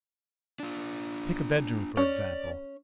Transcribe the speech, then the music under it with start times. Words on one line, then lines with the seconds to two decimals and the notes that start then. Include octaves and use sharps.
Take a bedroom, for example.
0.60 D4 F4
1.97 C#4 D5